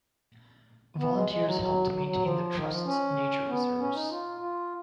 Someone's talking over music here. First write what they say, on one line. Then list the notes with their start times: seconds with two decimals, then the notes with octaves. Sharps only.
Volunteers help to maintain the Trust's nature reserves.
0.98 B3
1.13 G#3
1.29 G#3
1.44 F#3
1.61 F#3
1.91 F#3
2.07 F#3
2.23 F3
2.54 D#3
2.69 F3
2.85 C#4
3.47 B3
3.79 C#4
3.94 D#4
4.10 F4
4.41 F4